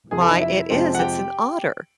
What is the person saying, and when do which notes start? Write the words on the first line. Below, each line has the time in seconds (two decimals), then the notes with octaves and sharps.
why it is, it's an otter."
0.11 F2 C3 F3 G#4 G#5
0.21 A4 A5
0.31 D#4 D#5
0.40 E4 E5
0.70 F2 C3 F3 G#3 C4
0.95 F#5
0.99 G4 G5